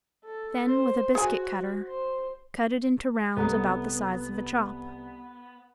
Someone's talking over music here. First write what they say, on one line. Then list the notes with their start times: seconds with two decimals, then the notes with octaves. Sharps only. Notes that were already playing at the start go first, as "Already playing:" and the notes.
Then with a biscuit cutter, cut it into rounds about the size of a chop.
0.25 A4
0.68 C5
1.15 F#4 G#4 G#5
1.88 C5
3.37 C2 B3 A4 A#5 D#6